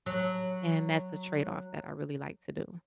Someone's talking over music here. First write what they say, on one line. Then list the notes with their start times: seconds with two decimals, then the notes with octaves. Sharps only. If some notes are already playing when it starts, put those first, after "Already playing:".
and that's a trade off that I really like to do.
0.06 F#3